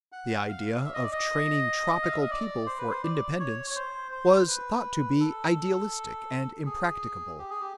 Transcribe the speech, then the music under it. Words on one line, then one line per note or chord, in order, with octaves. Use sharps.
The idea of training tropical people for independence was thought to be idealistic and impracticable.
F#5
F5
E5
D#5
D5
D#5
F5
E5
D#5
D5
C5
B4
C5
D5
C#5
C#5
C5
C5
B4
A4
G#4
G4
G#4
G4